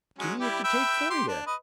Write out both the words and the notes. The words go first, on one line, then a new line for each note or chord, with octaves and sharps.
'Gimme it to take for you.
F#3 G#3 C#4
G3 E4 G4
B4 E5 G5
G4 C6
D4
B4 D#5